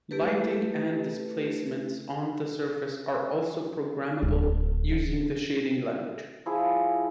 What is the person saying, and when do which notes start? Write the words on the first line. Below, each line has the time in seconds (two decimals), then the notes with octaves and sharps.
Lighting, and displacements on the surface, are also programmable using the shading language.
0.11 A3 E4 G4 A4 B4
4.22 D1
6.46 F3 E4 G#4